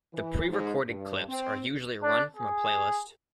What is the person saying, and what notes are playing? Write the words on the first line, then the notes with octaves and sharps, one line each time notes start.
The pre-recorded clips are usually run from a playlist.
E3
G#2
G2
C4
D4
G#4